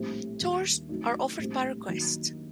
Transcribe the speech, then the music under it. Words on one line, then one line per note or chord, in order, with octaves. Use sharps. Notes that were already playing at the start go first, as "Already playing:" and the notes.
Tours are offered by request.
Already playing: A#1 A2 G3 C4 G4
D#2 D#3 G3
D2 C3 F#3 A3 D#4
A#1 A2 G3 C4 G4
F#2 D#3 F#3 A#3 D#4